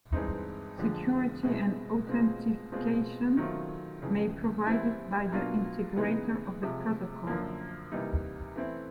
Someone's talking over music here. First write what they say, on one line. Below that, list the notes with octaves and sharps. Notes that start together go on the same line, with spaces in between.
Security and authentication may provided by the Integrator of the protocol.
G2 E3 G#3 C4 D#4
F2 D3 F3 G#3
B2 G#3 C4 E4
B2 G#3 C4 F4
B2 G#3 C4 F4
D#3 F#3 A3 C4 F4
F2 C#3 E3
E3 G3 C4 E4
B2 F#3 A#3 D4 F4
C#3 E3 G#3 B3 D#4
C3 F3 G#3
F#2 D3 F3 A#3
C3 E3 G3 A#3 D#4
E3 A3 C4 E4